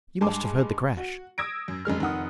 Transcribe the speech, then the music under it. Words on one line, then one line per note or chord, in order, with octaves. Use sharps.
You must have heard the crash?'
G2 G#3 G#5 A5 C6 D6
F#4
D#6 E6 G#6 A#6 D7
F#2
F1 F#2 G#3 F6
F1 D#3 F#5 D#6